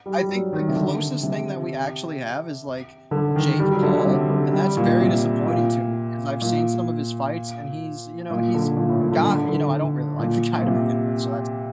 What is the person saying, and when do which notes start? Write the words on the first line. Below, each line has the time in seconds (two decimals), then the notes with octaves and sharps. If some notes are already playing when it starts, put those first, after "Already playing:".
I think the closest thing that we actually have is, like, Jake Paul, and that's very disappointing to me, 'cause I've seen some of his fights and he's, you know he's got You know, I don't really like the guy to begin with, so, that's
0.06 G3
0.18 G3
0.29 F#3
0.53 D#3
0.68 C3
0.76 D3
1.23 C3
3.11 D3
3.36 D#3
3.59 G3
3.71 F#3
3.83 D3
3.95 D3
4.06 C3
4.30 D3
4.53 G3
4.77 A#2
5.00 C3
5.47 A#2
6.42 A#2
8.30 A#2
8.54 D3
8.77 A#2
8.89 A2
9.01 A#2
9.12 D3
9.25 D3
9.49 D3
10.19 A#2
10.58 A#2
10.66 C3